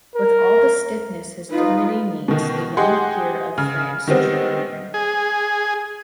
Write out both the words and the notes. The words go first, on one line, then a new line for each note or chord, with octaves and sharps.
With all the stiffness his dignity needs, the young peer of France drew near.
A#4
D#4 F4 B4
B2 D#3
D#4 G4 G#4 F#5 C6
C#3 F6
D#3 G3 G#3 B3 C4 D#4
G#4